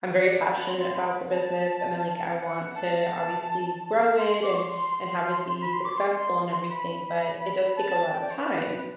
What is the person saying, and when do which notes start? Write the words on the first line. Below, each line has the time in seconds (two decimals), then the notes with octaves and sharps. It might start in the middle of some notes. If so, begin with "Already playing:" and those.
I'm very passionate about the business, and then, like, I want to, obviously, grow it and and have it be successful and everything, but it does take a lot of time.
0.23 D5
0.59 B5
0.68 C6
0.86 C6
0.95 B5
1.30 A5
2.39 F#5
2.74 A5
4.18 C6
4.29 C6
4.42 D6
4.53 C6
4.89 C6
5.60 B5
5.73 C6
5.84 D6
5.97 C6
6.68 B5
7.40 B5
7.76 A5
8.12 G5
8.20 D5
8.30 C5
8.38 B4